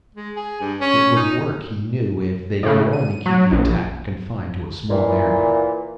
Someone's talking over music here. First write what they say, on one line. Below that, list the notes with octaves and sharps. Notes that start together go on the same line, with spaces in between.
It would work, he knew, if they could only keep the attack confined to a small area.
G#3
G#4
G2
C#4
D#4
A2 C#3
D#7
F#3
A#1
A#2 E3